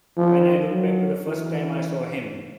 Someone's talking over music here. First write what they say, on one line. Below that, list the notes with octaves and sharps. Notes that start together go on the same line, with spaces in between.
When I look back to the first time I saw him!
F3
F#3
E3